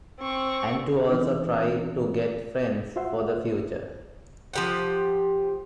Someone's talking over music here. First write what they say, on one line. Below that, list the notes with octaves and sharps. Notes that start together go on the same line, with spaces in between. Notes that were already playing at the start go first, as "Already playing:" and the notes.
And to also try to get friends for the future.
C4 C#6
E3 C4 D4 D#4
F4 F#4 C5 E5 F#5 C6
F3 G4 F#5